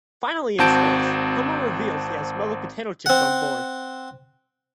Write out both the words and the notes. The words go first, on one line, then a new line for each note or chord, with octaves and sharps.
Finally in space, Homer reveals he has smuggled potato chips on board.
G#1 C4 F#4 A5 G6 D7
C4 F#5